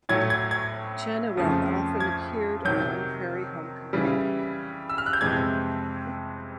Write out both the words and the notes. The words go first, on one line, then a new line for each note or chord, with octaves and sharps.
Chenoweth often appeared on "Prairie Home Companion".
A2 F#3 A3 G#6
G#6
G#6
F2 C#3 F3 A3
G#6
C3 D#3 F#3 G6
C#3 E3 G3
E6
F6
F#6
G6
F2 C3 E3 G#3 C4 G#6